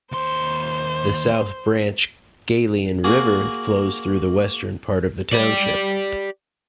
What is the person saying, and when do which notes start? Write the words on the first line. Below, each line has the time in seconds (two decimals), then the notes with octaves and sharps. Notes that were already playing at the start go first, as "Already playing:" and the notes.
The South Branch Galien River flows through the western part of the township.
0.12 D#2 C5 C6
3.04 A#3 F#4 G#4
5.33 G4 D5